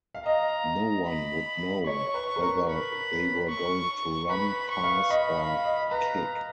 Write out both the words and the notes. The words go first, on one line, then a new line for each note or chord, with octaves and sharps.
No one would know whether they were going to run, pass or kick.
F5
D#5 A#5
B5
C#5 C#6
B4
B4
A#4
B5
C#6
B4 B5
C#6
F5
D#5 B5
F5
D#5
B4 A#5